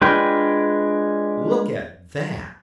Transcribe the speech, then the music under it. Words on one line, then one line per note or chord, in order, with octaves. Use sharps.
"Look at that!"
G#3 D4 F4 B4 G5